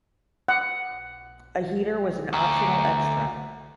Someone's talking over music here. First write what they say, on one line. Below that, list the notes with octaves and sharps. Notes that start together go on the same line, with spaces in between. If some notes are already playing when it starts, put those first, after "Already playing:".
A heater was an optional extra.
F#5
D2 A#5